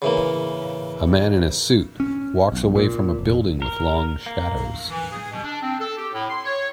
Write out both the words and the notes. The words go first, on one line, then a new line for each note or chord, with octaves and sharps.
A man in a suit walks away from a building with long shadows.
C#3 E3 A#3
C#4
B1
A#2
F1
A#4
A#3
E3
G#4
B2
D4
C4
A4
G4
A2
C6
C#5